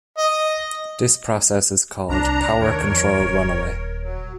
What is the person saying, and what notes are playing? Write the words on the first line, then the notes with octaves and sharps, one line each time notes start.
This process is called "power control runaway".
D#5
C2 D4 A#5
D#2 A#4 C#5
F2
D#1
F#3